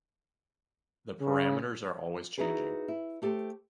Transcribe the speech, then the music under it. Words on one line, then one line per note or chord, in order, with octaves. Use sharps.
The parameters are always changing.
C#3
D#4 E4 F#4 G#4 B4
E4
A3 G4 A4 C5